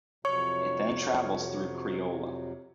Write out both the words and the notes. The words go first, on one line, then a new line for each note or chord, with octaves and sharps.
It then travels through Creola.
F2 C3 F#3 C#5 C#6